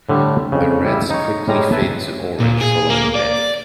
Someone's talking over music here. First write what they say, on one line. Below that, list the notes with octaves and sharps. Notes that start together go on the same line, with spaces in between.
The reds quickly fade to orange following death.
A2 D3 G3 A3
F2 C#3
G3 E4
D#4 C#5
A2 G3 G#3 A#5
B4 E5 G#5 A5
A#2
G#4
A#3
D5